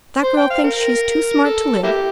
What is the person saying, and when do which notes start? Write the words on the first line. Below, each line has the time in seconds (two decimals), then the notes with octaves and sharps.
That girl thinks she's too smart to live.
0.23 C5
0.37 G5
0.50 F5
0.64 A#4
1.44 A4
1.83 A#3 E4 G4